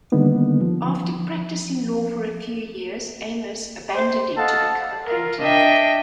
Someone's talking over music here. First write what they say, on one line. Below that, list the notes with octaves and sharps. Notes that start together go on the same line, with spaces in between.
After practicing law for a few years, Ames abandoned it to become a painter.
D3 D#3 G3 A#3 B3 D#4
F3
C5
A4 D#5 F5 F#5 A5
F4 A#4
D4 D#5 E5 G5